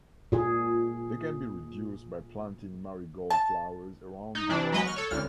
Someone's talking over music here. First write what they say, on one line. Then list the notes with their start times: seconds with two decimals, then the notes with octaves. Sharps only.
They can be reduced by planting marigold flowers around these plants.
0.32 A#2 G#4
3.30 A5
4.35 D#4
4.49 C3 E3 D4
4.72 F#3 G#3 B4 D#5
4.85 C#6 F6 F#6
4.96 A4 C#5
5.11 C#2 D3 F6